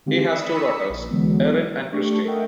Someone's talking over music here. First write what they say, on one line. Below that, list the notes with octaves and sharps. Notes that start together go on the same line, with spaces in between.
He has two daughters, Erin and Christine.
D3 D#3 G#3 C4 F4 G4
D5 B5 D#6 E6 B6 C#7
A#1
D3 E3 F#3 G#3 B3
A3 D4 G4 C#6
A4 A#4 D#5 E5 F#5 G5